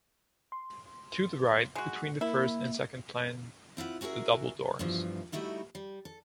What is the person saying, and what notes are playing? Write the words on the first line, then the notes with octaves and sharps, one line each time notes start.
To the right, between the first and second plan, the double doors.
C6
G#3 F#4
A#3 E4
C4 E4 F4 F#5
C#4 F#4 G#4 A#4 E5
G2 B2 E3 F3
G3 A3 D#4 E4 F#4
G3
A4